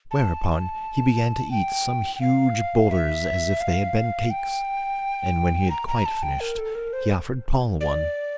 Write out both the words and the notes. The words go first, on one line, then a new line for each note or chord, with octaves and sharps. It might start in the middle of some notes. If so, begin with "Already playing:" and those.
Whereupon he began to eat some huge boulders as if they had been cakes, and when he had quite finished, he offered Paul one.
A5
G5
G5
F5
E5
F5
G5
A#5
A#5
A5
G5
A#4
A4
A#4
C5
D5